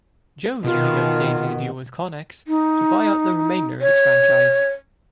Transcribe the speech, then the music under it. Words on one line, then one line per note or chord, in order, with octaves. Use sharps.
Govia negotiated a deal with Connex to buy out the remainder of its franchise.
B2 D#3 F4
D#4
C#5